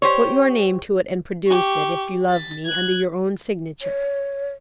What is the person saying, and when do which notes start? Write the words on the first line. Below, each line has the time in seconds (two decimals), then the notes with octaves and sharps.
Put your name to it, and produce it, if you love me, under your own signature.
0.02 G4 C5 C#5
1.48 G4 C#6
2.29 A6 B6
2.66 F#6 G#6
3.82 C#5